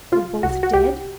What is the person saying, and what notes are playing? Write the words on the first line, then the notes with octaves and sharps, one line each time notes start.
Were both dead?
C3 F4
C2 F#4
F#4
C2 G4